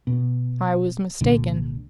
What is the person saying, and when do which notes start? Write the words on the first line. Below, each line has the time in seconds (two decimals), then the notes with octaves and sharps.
I was mistaken.
0.07 B2
1.21 C2 A#2 D3